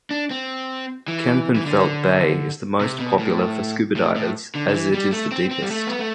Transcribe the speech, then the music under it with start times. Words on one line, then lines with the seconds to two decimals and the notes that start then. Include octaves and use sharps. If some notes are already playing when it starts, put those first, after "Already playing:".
Kempenfelt Bay is the most popular for scuba divers as it is the deepest.
0.11 D4
0.31 C4
1.08 E3
1.56 E3
1.66 D3
2.81 C3
3.00 B2
3.19 A2
3.96 A2
4.16 A2
4.55 D3
4.69 D3
4.74 E3
4.94 G3
5.12 A3
5.32 C4
5.51 C4
5.62 G3
5.70 A3
5.87 B3
5.99 A3